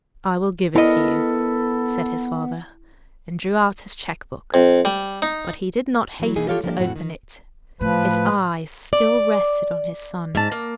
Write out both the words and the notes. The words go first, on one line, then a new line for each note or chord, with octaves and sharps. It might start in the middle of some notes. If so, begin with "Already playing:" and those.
"I will give it to you," said his father, and drew out his check-book. But he did not hasten to open it; his eyes still rested on his son.
B3 E4 A4 A#4 D#5
F2
G3
D#4
E3 F#3
B2 E3 A#3 D#4 G#4
F4 G4 A4 C#5 F5
F3 G3 A#3 D4 G4
F2 A2 C4 F#4 F#5
D#3
A2 F3 B4
D5
G#2 A5
A#3